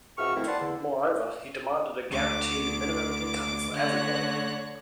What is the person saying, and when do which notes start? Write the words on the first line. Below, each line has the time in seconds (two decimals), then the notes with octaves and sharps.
Moreover, he demanded a guaranteed minimum income for everybody.
0.18 C#2 F3 F#4 E5 C#6 F6
0.36 A2 D#3 F3 A3 C4 E4
0.48 B3 B4 D5 F#5 A5 C6
0.59 E2 D3
2.08 D2 D6
3.73 D3 A3 C#5 F#6 A#6